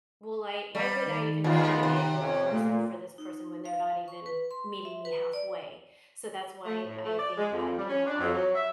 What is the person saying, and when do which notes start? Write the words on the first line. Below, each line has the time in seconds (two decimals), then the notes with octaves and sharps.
will I why would I even care to be a good person for this person, when they're not even meeting me halfway?" So, that's why I think that, you know, I
0.75 G3
1.07 D#3
1.44 A1 D#2 B3 F4
1.83 C3
2.19 F2 C#4
2.51 A#2 A3
3.18 D#4
3.65 F5
4.08 C#6
4.26 B4
4.51 C6
4.85 E5
5.05 B4
5.33 D5
6.66 A3
6.85 A2
7.05 A3
7.18 D5
7.37 G#3
7.52 F2
7.77 G3
7.89 C#4
8.07 D4
8.20 F2
8.34 F#3
8.55 E5